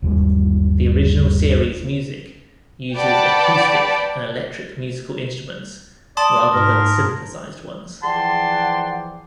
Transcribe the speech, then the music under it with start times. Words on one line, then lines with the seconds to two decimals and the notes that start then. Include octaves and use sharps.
The original series' music uses acoustic and electric musical instruments, rather than synthesized ones.
0.02 G1 D#2 G3 G#3
2.95 B4 D5 F#5 G5 A5 B5
6.17 D5 A5 C6 D#6
6.53 G#2 A#4
8.03 E3 F3 G#4 D5 F#5 G5 A5 C6